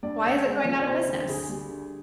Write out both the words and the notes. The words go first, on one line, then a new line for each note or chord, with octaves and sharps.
Why is it going out of business?
G2 D5
G1
G#3
F3
D5
C3 C5
D2
D2 G#4
G3
D3